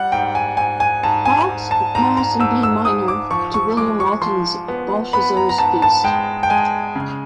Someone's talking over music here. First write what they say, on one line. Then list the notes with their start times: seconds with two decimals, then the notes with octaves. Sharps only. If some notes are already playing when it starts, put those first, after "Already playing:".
Bach's Mass in B Minor to William Walton's Belshazzar's Feast.
Already playing: G3 F#5
0.12 G#2 G5
0.35 G#5
0.57 G#2 G#5
0.80 G#5
1.03 G#2 A5
1.26 G#5
1.49 G#2
1.71 A5
1.95 G#2 A#5
2.17 A#5
2.39 G#2 E6
2.63 E6
2.85 G#2 D#6
3.08 D6
3.31 F3 C#6
3.54 C#6
3.77 G#3 D6
4.00 C#6
4.22 F3 C6
4.68 B3
5.13 B3 B5
5.37 A#5
5.49 A#5
5.58 G#2 A5
5.82 A5
6.04 G#3 G5
6.43 G5
6.50 G#3 G#5
6.95 C#3